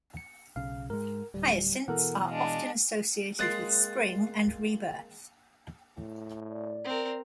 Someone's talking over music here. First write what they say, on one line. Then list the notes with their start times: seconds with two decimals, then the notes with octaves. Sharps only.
Hyacinths are often associated with spring and rebirth.
0.17 C#7
0.56 B1 C#3 F5
0.90 G#2 G#3 A#4
1.34 D1 G3
1.88 B2 E3 A4 A#4 F#5
2.28 G#3 D4 F5
3.39 G#3 A#3 C4 D#6 F#6 A6 C7
5.98 A2
6.49 D5
6.85 C4 A#4